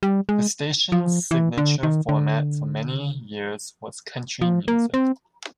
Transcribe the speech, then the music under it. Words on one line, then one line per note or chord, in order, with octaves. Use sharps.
The station's signature format for many years was country music.
G3
G#3
F3
E3
D3
D#3
D3
F3
A#3
C4